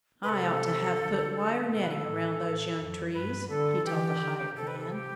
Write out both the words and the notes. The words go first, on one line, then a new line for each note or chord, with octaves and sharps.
"I ought to have put wire netting around those young trees," he told the hired man.
B4
C3 A4
D3
B2 A4
B4
A4
A2
A2
F2
G2 B4
D3 A4
E3 G4
D3
C3 A4
B4
A4
G4